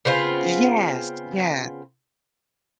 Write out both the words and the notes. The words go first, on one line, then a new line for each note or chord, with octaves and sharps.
Yes. Yeah.
C#3 B3 C4 F4